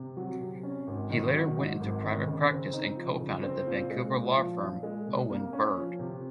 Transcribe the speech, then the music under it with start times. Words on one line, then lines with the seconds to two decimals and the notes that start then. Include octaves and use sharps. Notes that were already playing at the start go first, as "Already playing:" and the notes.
He later went into private practice and co-founded the Vancouver law firm Owen Bird.
Already playing: C3
0.17 F#3
0.40 C3
0.63 C#4
0.87 G#1
1.10 D#3
1.33 F#3
1.56 G#2
1.80 G#1
2.03 D#3
2.27 C#3
2.50 C4
2.73 D#4
2.96 F3
3.20 C#3
3.43 C4
3.67 A#2
3.90 G#3
4.13 A#2
4.37 F3
4.60 A#2
4.83 G#3
5.07 C3
5.30 A#3
5.53 C#4
5.77 F3
5.99 C3